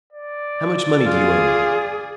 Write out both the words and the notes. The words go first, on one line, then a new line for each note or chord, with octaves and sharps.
"How much money do you owe me?"
D5
F4 G#4